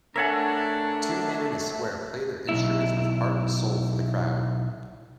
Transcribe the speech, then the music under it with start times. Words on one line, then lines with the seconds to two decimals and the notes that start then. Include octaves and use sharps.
Two men in a square play their instruments with heart and soul for the crowd.
0.16 A3 D4 A#4 C#5 E5 F#5 G#5 A5
2.49 B1 E4